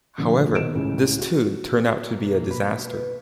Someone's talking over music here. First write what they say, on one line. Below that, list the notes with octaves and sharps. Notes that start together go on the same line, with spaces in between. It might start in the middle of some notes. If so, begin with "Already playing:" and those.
However, this too turned out to be a disaster.
A#2 D3 F3 A3 D4
B2 D#3 C5 D7 E7
C#2 A2 C#3
F#4
B2 A#3
B4